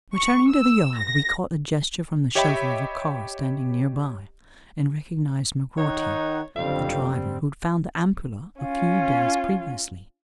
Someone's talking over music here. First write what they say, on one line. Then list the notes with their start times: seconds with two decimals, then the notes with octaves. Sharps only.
Returning to the yard, we caught a gesture from the chauffeur of a car standing near by and recognized McGroarty, the driver who had found the ampulla a few days previously.
0.15 C#6
0.50 E6
0.97 A#6
2.35 G4 C#5 D#5 E5 G5 B5
5.78 D#3 D#4 C#5 F#5
6.56 F#1 F2 D3 G3 C4 F5
8.61 C#4 F4